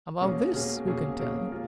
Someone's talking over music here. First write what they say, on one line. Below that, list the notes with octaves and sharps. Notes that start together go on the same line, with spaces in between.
About this who can tell?
B2 A#3 C#4 G#4
B2 A#3 C#4 G#4
B2 A#3 C#4 G#4
B2 A#3 C#4 G#4
A#3 F4